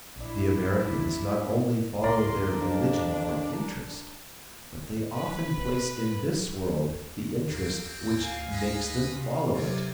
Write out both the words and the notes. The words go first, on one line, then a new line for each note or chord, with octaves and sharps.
The Americans not only follow their religion from interest, but they often place in this world the interest which makes them follow it.
A#1 D4 E4 D5
C#2 A#4 D5 A#5 C6
F2 D4
B4
D#2 A#3 C4
D2 F5 G#5
D2 B4 D#5
C3 F4
C3 F#3 C4 F4 D5 G#6